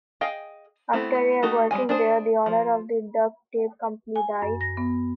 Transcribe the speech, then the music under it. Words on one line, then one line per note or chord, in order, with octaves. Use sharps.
After a year working there, the owner of the duct tape company died.
G#4 D#5 F5 G5
A3 B3 C4 E4
A3 D#4 F#4 G4
G3 G#3 G#5
D4 G#4 C5
F3
G#5
F#2
A#6
B3